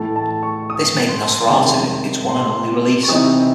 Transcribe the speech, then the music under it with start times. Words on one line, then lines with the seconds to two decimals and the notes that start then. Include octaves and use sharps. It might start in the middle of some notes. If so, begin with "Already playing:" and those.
This made "Nosferatu" its one and only release.
Already playing: A2 E3 A3 A5
0.16 A5
0.43 C#6
0.70 D#6
1.09 C6
1.49 C3 D#3 G#3 C#4 A5
2.29 C6
3.03 C#6
3.08 C3 E3 C4 D#4 D#6